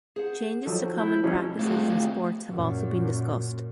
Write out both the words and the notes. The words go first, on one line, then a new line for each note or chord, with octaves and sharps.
Changes to common practices in sports have also been discussed.
G#4 C5 F#5
D#3 F3 F#3 A4
E4 G6
C2 F2 C3 F3 C#4
A3 C4 F4 G#4
F#2 A#2